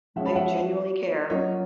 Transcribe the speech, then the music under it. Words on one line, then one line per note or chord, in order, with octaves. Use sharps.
They genuinely care.
F3 G#3 C#4 E5 F#5
A5 B5
E5 F#5
F#3 A#3 C#4 F4 C#5 D#5